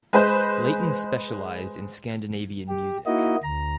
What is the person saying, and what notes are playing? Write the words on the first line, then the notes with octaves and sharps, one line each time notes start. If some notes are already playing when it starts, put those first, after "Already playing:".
Layton specialised in Scandinavian music.
G#3 B4 C5
G4
A#3 D#4 E4 F#4 D#5
D2 A#5